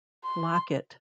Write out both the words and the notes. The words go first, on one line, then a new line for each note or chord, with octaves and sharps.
Lock it.
C6